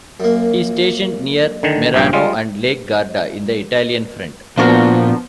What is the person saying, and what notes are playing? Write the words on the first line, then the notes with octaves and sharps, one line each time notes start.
He stationed near Merano and Lake Garda in the Italian Front.
F#2 A#3
D3 D#3
A#1 G2 G5
G3 G#3 F4
A#2 F3 B3 D4 F#4 A#4